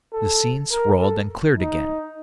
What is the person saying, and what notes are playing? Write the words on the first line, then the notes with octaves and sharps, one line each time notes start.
The scene swirled and cleared again.
A4
A#4
A4
D#4